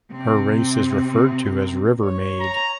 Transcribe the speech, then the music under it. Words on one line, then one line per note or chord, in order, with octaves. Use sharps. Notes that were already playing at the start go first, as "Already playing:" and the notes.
Her race is referred to as "River-maid".
C3 C4
C#5
A#5